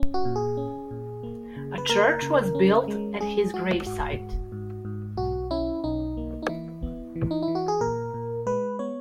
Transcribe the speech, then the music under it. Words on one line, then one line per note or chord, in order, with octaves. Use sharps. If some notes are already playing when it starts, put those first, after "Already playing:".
A Church was built at his gravesite.
Already playing: C#4
F#4
A#2
G#4
C#4
A#2
A#3
C#3
B4
A#3 A#4
C#3
C#4
G#3
G#3 G#4
G#3 F#4
G#2 F#4
G#2
G#2
G#2
B1 F#4
C#4 E4
B1 D#4
A#3
D#4
E3 E4
B3
E3
D#4
E4
E3
F#4
G#4
A#2 A#4
A#2
G#3 B4
B3 C#5